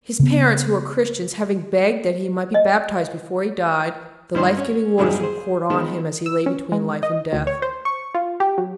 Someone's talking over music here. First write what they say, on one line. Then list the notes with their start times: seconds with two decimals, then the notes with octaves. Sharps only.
His parents, who were Christians, having begged that he might be baptized before he died, the life-giving waters were poured on him as he lay between life and death.
0.19 C#3 B3
2.54 D#5
4.35 G2 D#3 C5 C6
4.57 C#4
4.98 E2 G2 D#3 F#3 G#3 G#4
5.20 G#4 C5
5.70 D#3 F3 G#3 B3
6.26 E6
6.46 C#4
6.72 G#3
7.03 D#5
7.33 D2
7.47 C#5
7.62 C5
7.85 C#6
8.15 F4
8.40 G4
8.58 F#3